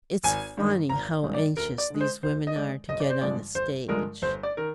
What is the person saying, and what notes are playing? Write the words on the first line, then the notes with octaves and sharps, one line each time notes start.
"It's funny how anxious these women are to get on the stage."
G#1 G#5
G2 D#3 G#3
G#1 A#5
G2 D#3 G#3
D5
D2 A#4
D5
D3 G#3
C5
D2 C5
D#5
D3 G#3 D5
G1 D#5
D5
C5
G2 D3 F3 G#3 D5
G1 C5
G2 D3 F3 G#3 A#4
G1 C5
D5
D#3 A#4